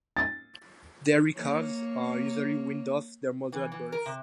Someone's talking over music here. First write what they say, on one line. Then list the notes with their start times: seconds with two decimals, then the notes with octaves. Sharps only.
Dairy calves are usually weaned off their mother at birth.
0.17 A6
1.35 A#3 C#5
3.52 E3
3.72 E3
3.92 A#4
4.06 C3